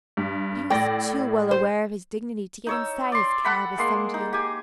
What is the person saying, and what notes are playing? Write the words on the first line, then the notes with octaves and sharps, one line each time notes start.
But he was too well aware of his dignity to get inside his cab as some do.
G2
A2 D5 G5 A#6
C5
D#4 C#5 E6
D5 C6
A4 F#5 G5 B5
G#3 A#3 C6
D#4
G4 G#5